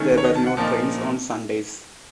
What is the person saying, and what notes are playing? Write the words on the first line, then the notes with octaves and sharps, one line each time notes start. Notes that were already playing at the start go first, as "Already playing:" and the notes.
There were no trains on Sundays.
Already playing: D#3 A3 C#4
C#5
D#5
A5
F#5
A#2 F3 A#3 D#4 A5